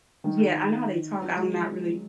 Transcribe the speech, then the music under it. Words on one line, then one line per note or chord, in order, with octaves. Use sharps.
Yeah, I know how they talk, I'm not really
D#3
F#3
G#3